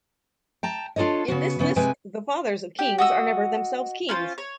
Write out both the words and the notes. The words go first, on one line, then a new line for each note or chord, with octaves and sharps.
In this list the fathers of kings are never themselves kings.
G5 A5 A#5
D4 F4 A4 C#5 D#5
C#3 B3 F#4
C#3 B3 C#4
C3 G#3 B4 G5 G#5
G4
F#4 D#5 E6
C#4 F4 B4 C5
C#5